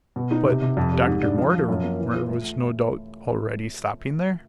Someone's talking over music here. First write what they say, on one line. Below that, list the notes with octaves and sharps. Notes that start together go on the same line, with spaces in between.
"But Dr. Mortimer was no doubt already stopping there?"
B2
D#4
C3
C3
F2
G3
G#2
D4
F3
F3
F#2
A#3
E3
F4
A3